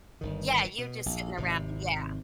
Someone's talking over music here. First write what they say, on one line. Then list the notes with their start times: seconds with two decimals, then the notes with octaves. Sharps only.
Yeah you're just sitting around, yeah.
0.21 G1 D#3
0.78 B2
1.06 A#1
1.37 G#1 C3